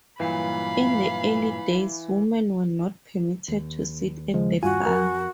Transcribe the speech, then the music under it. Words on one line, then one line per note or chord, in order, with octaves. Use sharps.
In the early days women were not permitted to sit at the bar.
G2 A#2 E3 F#3 F5 B5
D#2
C#3 F3 G#3
G2 F4 F#4 G#5
F2 A#4